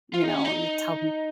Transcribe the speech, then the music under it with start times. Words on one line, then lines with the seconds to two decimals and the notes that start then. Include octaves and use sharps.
you know, you tell them
0.14 F4
0.24 D#4
0.34 C#4
0.45 D#4